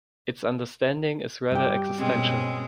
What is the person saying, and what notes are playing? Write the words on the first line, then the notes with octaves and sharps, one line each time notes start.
Its understanding is rather existential.
G2 G4
B2 G#3 C4 C#4